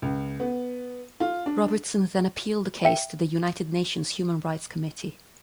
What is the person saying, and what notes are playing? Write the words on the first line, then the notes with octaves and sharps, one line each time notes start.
Robertson then appealed the case to the United Nations Human Rights Committee.
C#2
B3
F4
D4
E5 G5 C#7